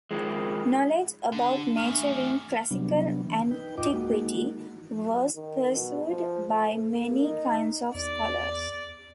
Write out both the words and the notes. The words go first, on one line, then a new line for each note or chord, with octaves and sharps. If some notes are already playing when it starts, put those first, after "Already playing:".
Knowledge about nature in Classical Antiquity was pursued by many kinds of scholars.
D#3 F3 G#3
D3 D4
E2 A2 A3 F6
C3 F#3 G3 B3 D4
E3
D#4 B4 G5
D#2 A2 F4 D#5 G5 D6
G#3 A#3 D#4 F#4
D#3
B2
F3
A3
A#3
D#4
E2 D5